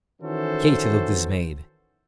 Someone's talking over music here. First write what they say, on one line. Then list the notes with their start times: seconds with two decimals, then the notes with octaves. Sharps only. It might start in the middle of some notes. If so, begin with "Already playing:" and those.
Katy looked dismayed.
0.22 D#3 E3 C#4 F#4 A4 C5